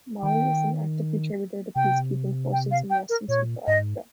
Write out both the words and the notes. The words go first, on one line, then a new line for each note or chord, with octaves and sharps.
Mali is an active contributor to peacekeeping forces in West and Central Africa.
D#3 G5
C3 G5
G5
F5
G5
A#4
A#2 C#5
G#2 D#5